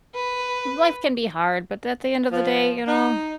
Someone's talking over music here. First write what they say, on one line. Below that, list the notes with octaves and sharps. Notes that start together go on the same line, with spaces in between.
Life can be hard, but at the end of the day, you know,
B4
F3
D#4